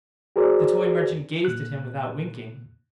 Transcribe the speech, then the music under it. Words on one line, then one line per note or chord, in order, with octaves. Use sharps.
The toy merchant gazed at him without winking.
F#4 G#4 A#4 C5 D5
A#2 F#6